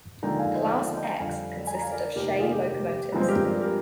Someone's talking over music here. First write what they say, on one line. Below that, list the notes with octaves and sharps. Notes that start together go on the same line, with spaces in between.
Class X consisted of Shay locomotives.
D#2 D3 F3 G#3 G5 A#5
F5 G#5
C5 D#5
G5
D5 F5
D#5 G5
G5
F2 D3 G3 F5 G#5
G#5
A#5
F5 G#5
A#4 D5
F1 D#2 D#3 A#3 G4 A#4
G4
F4 G#4
G4
G4
G4
G2 F3 G#3 C4
C5
G4 A#4
A#4 D5
G4 A#4